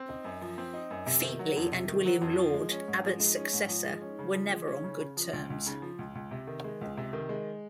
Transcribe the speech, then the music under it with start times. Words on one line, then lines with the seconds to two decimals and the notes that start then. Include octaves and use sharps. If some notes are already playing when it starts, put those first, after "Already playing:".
Featley and William Laud, Abbot's successor, were never on good terms.
Already playing: C4
0.09 D#4
0.25 F#2
0.41 F3
0.58 C4
0.74 D#4
0.91 F#2
1.06 C3
1.24 D#3
1.39 F#3
1.56 F2
1.72 C3
1.88 D#3
2.05 F#3
2.21 F2
2.39 F3
2.54 G#3
2.71 C#4
2.88 G#2
3.04 F3
3.20 G#3
3.36 C#4
3.53 G#2
3.69 F3
3.85 G#3
4.01 C#4
4.19 C#3
4.34 F3
4.51 G#3
4.67 C#4
4.84 C#3
5.00 C#3
5.17 F3
5.33 C#2
5.50 C#2
5.67 C#3
5.82 F3
5.99 C#2
6.15 C#2
6.31 C3
6.47 D#3
6.64 G#3
6.81 C#2
6.97 C3
7.13 D#3
7.29 G#3